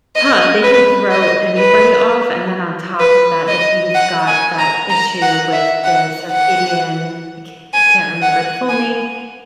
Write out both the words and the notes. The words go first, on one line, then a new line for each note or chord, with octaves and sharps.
huh, they can throw anybody off, and then on top of that, if you've got that issue with the Circadian I ca I can't remember the full name,
D#5
B4
D#5
B4
B4
D#5
F#5
G#5
A#5
A#5
F#5
E5
F#5
F#5
G#5
F#5
G#5